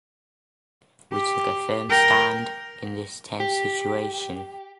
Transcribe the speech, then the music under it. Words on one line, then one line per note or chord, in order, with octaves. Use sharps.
We took a firm stand in this tense situation.
G4
A#4 G5
G4